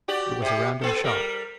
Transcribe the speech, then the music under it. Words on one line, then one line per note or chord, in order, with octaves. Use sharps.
It was a random shot.
F#4 G4 D5
C3 G4
B3 A4
G3 A#4